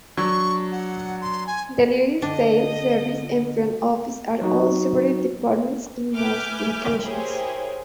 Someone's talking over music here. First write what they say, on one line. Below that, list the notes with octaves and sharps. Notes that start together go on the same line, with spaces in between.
Deliveries, sales, service, and front office are all separate departments in most locations.
F#3 D4 C#6
F#5
C6
G#5
D3 D4 D#5 G5
F#3 D#4 F#4
B4 E5 G#5 D6 F6 G6
E4 G4 G#4 A#4 C5 C#5